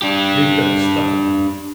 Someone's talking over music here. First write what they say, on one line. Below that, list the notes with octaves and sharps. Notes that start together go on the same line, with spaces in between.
They've got the stuff in them!
D4 G4